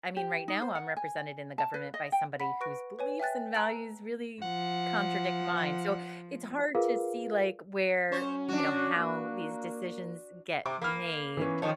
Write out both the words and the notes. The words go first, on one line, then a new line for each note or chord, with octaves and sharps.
I mean, right now I'm represented in the government by somebody whose beliefs and values really contradict mine. So it's hard to see, like, where, you know, how these decisions get made.
G4
D#4
C5
F#5
G#5
A5
B4
D#5
G5
F#5 B5 B6
B4 C#6 F#6 A#6 D7
B4 C#5 G#5
E5 G5 G#5 F#6 A6
A5 A#5 E6 F#6 D7 F#7
F3 F#5
F4 G#4 A#4 B4 F5
F#3 C#4 C5 C#5
D4 F#4
A#3
C3 D6
A#3 B5 F6
E3 B3 C#4
F2 D#3 F3 C#5